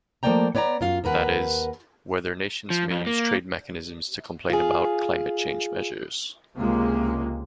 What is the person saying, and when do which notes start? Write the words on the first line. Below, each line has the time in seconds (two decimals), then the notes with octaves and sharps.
That is, whether nations may use trade mechanisms to complain about climate change measures.
0.23 F3 A3 A#3 D5 G5 A#5
0.55 B3 C#5 D5 G#5 A#5
0.81 F#2 F4 F5
1.04 D#2 A#4 B4 F#5
2.70 F3
2.90 F2
3.07 A#3
4.50 F4 G#4
6.57 C#2 C3 G#3 A#3